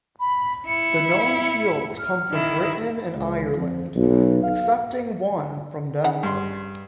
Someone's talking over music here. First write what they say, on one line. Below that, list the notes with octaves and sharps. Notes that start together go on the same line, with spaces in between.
The known shields come from Britain and Ireland, excepting one from Denmark.
B5
E4 C#7
F6
D#3 E4
C#2
F2
B1
F5
C#3 F#5
G2 C6